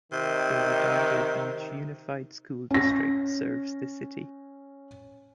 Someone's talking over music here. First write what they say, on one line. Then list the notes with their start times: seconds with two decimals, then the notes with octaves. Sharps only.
The Redondo Beach Unified School District serves the city.
0.12 C3 D#3
2.71 C#4 A#6